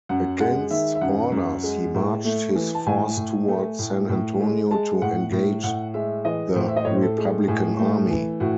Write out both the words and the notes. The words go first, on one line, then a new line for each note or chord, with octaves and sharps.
Against orders, he marched his force toward San Antonio to engage the Republican Army.
F#2 F#5
G#3 F#5
D#3 E5
E5
F#2 F#5
F#2
G#3
A2
A3
E3
A5
A2 G#5
A2
A3
A2
A2
G#3
G#3 A5
A2 F#5
A2
A2 F#5
G#3 E5
E3 D#5
A2 C5
E5
D#5
A2 C#5
C5
A4
G#3
A2 G#4
A3
E3
A2 F#4